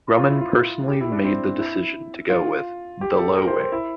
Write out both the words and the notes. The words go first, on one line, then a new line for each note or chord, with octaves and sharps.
Grumman personally made the decision to go with "the low wing".
F4
E4
F4
G4
E4
D4
C4
E4
F4
G4
A4
A#4
C5
C5
E4